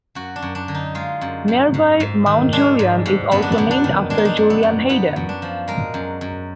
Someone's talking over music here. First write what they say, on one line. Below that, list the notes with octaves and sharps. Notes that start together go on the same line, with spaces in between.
Nearby Mount Julian is also named after Julian Hayden.
F#2 F#4
D4
F#2
D4
D3
D#4
G#3 F4
F#2
F#2
G#2
G#2
D#3
G#3 D4
G#2
G#2
F#2 B3
D4
B3
F#2
D4
D#3
G#3 D4
D#4
D4
F#2
B3
F#2
F#2 B3
F#2
D4
F3
G#3 A#4
F#2
F#2